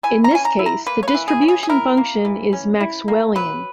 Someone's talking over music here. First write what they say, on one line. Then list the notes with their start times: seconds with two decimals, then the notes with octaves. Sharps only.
In this case, the distribution function is "Maxwellian".
0.03 E3 G#5
0.24 A#5
0.31 C#4 G#5
0.45 A#5
0.59 E4
0.66 A#5
0.86 A#3 B4
1.03 C#5
1.08 B4
1.14 E3
1.28 G#4
1.42 C#4
1.48 G#4
1.63 G#4
1.69 E4 A#4
1.97 A#3
2.25 E3
2.53 C#4
2.80 E4
3.08 A#3
3.35 F#3 B4